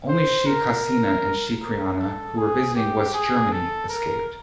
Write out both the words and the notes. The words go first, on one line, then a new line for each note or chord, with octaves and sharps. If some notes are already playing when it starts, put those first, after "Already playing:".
Only Sheikh Hasina and Sheikh Rehana, who were visiting West Germany, escaped.
C5
A#4
A#4
A4
G#4
G4
G#4
A4
A#4